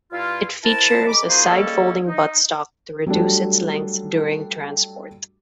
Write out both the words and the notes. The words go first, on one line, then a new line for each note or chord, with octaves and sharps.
It features a side-folding buttstock to reduce its length during transport.
G2 E4 F4
C4 E4 A#4 B4 A5
G#3 A#4 B5 D6
F3 A#3 D#4 F#4 G#4 C5
G3 G#3 A#3 C#4 A4
D#4
F#3 G3 A3 D4